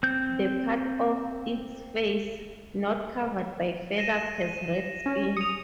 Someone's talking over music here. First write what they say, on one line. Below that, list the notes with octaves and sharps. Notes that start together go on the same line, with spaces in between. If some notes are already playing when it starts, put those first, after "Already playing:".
The part of its face not covered by feathers has red skin.
C4 G6
A#6 D#7 E7
C#4
D#6 C#7 F7